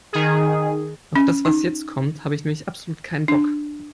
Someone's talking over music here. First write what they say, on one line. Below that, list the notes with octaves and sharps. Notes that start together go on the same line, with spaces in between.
Auf das, was jetzt kommt, habe ich nämlich absolut keinen Bock.
D#3 G#4
C#4
D#4
D4